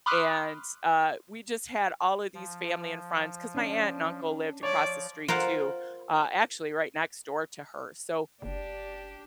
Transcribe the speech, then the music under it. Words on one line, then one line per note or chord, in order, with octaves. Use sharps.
and, uh, we just had all of these family and friends, 'cause my aunt and uncle lived across the street too, uh, actually right next door to her, so
B5 C6 D6 D#6 F6 F#6
F3
C#4 D4
F3 C#5 D5
F4 A#4 C5 F5 F#5
F#1 D4 G4 D5